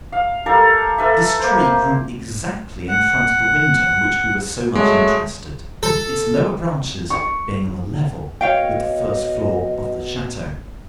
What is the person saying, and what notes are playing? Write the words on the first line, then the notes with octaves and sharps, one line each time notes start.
This tree grew exactly in front of the window in which we were so much interested, its lower branches being on a level with the first floor of the chateau.
F5
G3 A4 A#4 F5
A4 B4 E5
A#3 C5
F#5
F#3 G#3 A3
A4
C#6
B2 C#5 D#5 F5 G5